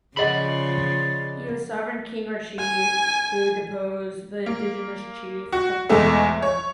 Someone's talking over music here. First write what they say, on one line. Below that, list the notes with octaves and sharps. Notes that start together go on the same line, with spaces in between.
He was sovereign king or chief, who deposed the indigenous chief, Kapawa.
C#3 F3 F4 G#4 D5 D#5 F#5 B5
G#5
A#3
F#4
E2 B2 G#3 A3 E5
C#5